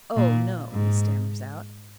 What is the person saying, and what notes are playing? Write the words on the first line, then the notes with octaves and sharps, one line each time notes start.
"Oh, no," he stammers out.
A#2
G#2